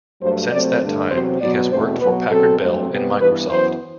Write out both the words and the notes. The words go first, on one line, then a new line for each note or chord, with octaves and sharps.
Since that time he has worked for Packard Bell and Microsoft.
G2 F#3 A3 C5
C3 F#3 A3 C4 D5
G2 D3 A3
E2 C3 F#3 C4 C5
B2 F#3 B3 D5
E2 B2 A3 C4 C5
B2 F#3 B3 B4
B2 F#3 C4 A4
G2 F#3 A3 C4
C3 G3 B3
G2 E3 B3 B4
F#2 E3 B3 C5